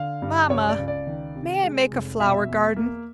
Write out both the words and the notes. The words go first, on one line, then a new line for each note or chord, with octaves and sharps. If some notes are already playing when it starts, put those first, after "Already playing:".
"Mamma, may I make a flower-garden?"
Already playing: D3 F5
G2
C#2 C#5
D5
C#2
D5
D#3
C3
G#3
F1
B2 E5
E2
A#3